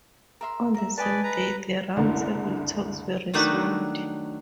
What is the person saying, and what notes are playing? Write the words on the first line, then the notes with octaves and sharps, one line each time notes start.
On the same day, the round table talks were resumed.
A#4 E5 C6
A#4 E5
B4 D5 D#5 G#5 A5
B4 A#5
F#1 C2 D3
D#3 F#3 A3 D4 D#4 B4